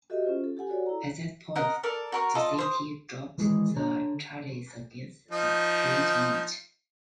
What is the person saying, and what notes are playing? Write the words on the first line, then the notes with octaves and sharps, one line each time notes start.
At that point the city dropped the charges against the Print Mint.
F#4 G4 A4 D#5 E5
C#4 F4 C5
A4
G4 A4 F#5 G#5
F#4 A4 C#5 D5
E4 A#5
A#4 D#5 F#5
A4 A#4 D5
F#4 A#4 C#6
F4 A4 D5 D#5
C5 D#6
D#3 E3 G#3 G#4
D3 C#5 A#5
F3 D#4